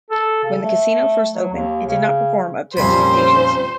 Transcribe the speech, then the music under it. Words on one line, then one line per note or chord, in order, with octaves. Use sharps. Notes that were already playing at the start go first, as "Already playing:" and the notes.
When the casino first opened, it did not perform up to expectations.
A4
C#3
A3
F#3
D#2
C#3
F2 A#2 G3 C#4 C5 G#5 B5